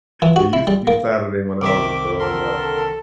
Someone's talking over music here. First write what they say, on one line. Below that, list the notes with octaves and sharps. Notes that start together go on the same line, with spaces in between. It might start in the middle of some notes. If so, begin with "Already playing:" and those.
It used to be Saturday when I was growing up.
E3
F#4
E4
G3
A#3
C2 D#3 E5 D6
D3 A4 A#4 C6